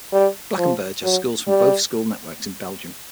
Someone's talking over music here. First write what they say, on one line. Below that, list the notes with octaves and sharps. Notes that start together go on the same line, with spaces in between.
Blankenberge has schools from both school networks in Belgium.
G3
F3
F#3
G3